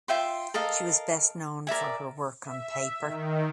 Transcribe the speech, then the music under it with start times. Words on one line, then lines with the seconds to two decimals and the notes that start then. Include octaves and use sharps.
She was best known for her work on paper.
0.08 F4 E5 G5 C6
0.54 A4 A#4 D#5 F5
1.67 A#4 D5 E5 G#5
2.43 E5
3.00 D#3